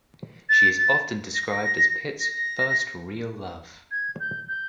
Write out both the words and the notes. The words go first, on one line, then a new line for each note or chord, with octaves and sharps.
She is often described as Pitt's first real love.
A6
A6
A#6
A#6
G#6
G6
G6